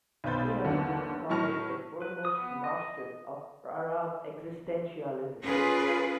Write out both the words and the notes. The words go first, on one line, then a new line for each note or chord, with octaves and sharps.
He has been called the foremost master of Arab existentialism.
B1 B3 C5 B5 G6 A6
G1 D#2 D3 F#3 A#3 F#5
A2 F#3 A5 C#6 F6 A#6
B4
D#6
B3
D#5
C#4 F4 G#4 A#4 B4